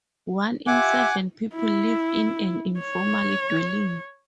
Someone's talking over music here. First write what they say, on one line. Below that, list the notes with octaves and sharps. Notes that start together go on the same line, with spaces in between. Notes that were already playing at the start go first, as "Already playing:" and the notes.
One in seven people live in an informal dwelling.
F4 G4 E5 F#5 G#5 D6
E4
C#5